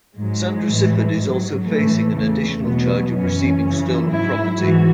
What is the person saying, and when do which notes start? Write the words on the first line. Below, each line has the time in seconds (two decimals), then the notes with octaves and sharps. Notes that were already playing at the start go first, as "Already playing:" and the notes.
Sandra Sifford is also facing an additional charge of receiving stolen property.
0.17 G#2 F#3 G#3
0.66 A2 E3
1.15 G#2 F#3
1.64 A2 E3 A3
2.13 E2 C#3 E3 A3
2.63 E2 B2 F#3 B3
3.12 F#2 E3 C#4
3.61 F#2 C#3 E3
4.10 G#2 F#3 E4
4.60 G#2 E3 F#4